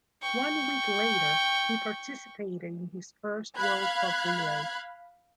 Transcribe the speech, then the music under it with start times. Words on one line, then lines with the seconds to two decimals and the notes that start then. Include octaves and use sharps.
One week later he participated in his first world cup relay.
0.23 G5 C#6
3.57 F5 B5 F#6 G#6